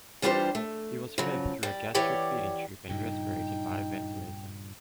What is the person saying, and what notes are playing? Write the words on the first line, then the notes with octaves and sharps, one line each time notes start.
He was fed through a gastric feeding tube and respirated by a ventilator.
E3 G3 D4 F4 G4 C5
A3
C#3 F3 F#3
G3
E3 G4 C#5 D5 F#5
G2 A#2 C#3 D#4 G5